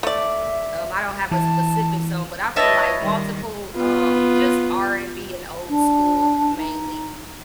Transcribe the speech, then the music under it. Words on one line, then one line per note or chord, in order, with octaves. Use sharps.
um, I don't have a specific song, but I feel like multiple, um, just R&B and old school, mainly.
A3 D5 E5
E3 A5
E4 B4 C#5 D#5 A5
D#3 G3
B3 F4
D4
D#4